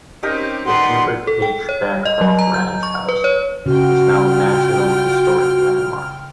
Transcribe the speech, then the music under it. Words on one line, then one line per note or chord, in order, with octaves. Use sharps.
The Hubert H. Bancroft Ranch House is now a National Historic Landmark.
C4 C#4 D#4 G4 A#4
D#3 B4 D5 F#5 C6
A4
G5
C#5
D#5
F#3
A#5
G6
C#6
B4
C#5
C#3 F4 F#4 G5 F6